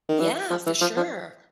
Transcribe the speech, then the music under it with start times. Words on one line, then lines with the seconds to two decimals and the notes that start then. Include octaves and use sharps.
Yeah, for sure.
0.09 D#3
0.20 E3
0.50 F3
0.66 E3
0.81 F3
0.97 F3